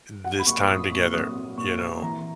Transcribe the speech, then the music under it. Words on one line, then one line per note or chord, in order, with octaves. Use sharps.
this time together," you know?
F#3 F#5
B5
A#3 C#6
A#2 D#6
A#2 C#6
F#3 D#6
A#3
A#2 C#6
A#2
E3 A#5